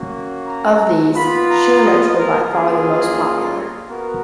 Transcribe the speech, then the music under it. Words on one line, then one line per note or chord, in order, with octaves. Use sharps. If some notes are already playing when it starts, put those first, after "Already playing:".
Of these, schooners were by far the most popular.
Already playing: A#3 C#4 F#4
A#5
B3 F4 B5
A#5
D#5
A#4
A#3 C#4 F4 G#4
B3 F#4 A#4